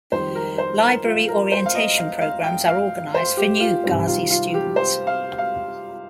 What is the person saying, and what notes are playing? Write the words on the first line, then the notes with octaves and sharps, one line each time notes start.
Library orientation programs are organized for new Gazi students.
F2 D#3 G3 C5
A#4
C5
A#4
F4
A#4
C5
F5
D#5
F5
F5
G5
F5
C5
G4
F4
C3 D#3 G3 C4
F4
F4
G4
C5
F5
F5